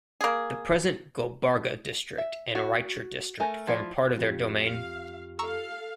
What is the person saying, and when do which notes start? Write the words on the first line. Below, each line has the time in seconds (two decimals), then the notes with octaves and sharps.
The present Gulbarga District and Raichur District formed part of their domain.
0.21 A#3 G#4
2.18 E5
2.55 F#4
3.40 A3 A#4 G#5
3.67 F3 E4 F4 D5
4.18 F2 F4 G4
4.62 F5
5.39 A4 F5 A#5 C#6 E6